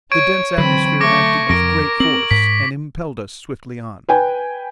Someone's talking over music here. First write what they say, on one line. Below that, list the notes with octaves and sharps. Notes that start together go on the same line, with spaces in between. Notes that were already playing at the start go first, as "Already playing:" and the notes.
The dense atmosphere acted with great force and impelled us swiftly on.
C#5 C#6 G#6 D7
D3 E3 F#3 C4 B5
A3 C#6 D6 A#6 D7
F2 A#4 A#6 D7
C4 F#7
G#2 B6
B4 G5 G#5